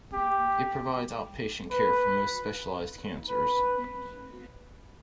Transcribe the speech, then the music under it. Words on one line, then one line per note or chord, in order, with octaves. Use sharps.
It provides outpatient care for most specialized cancers.
G4
B4
B4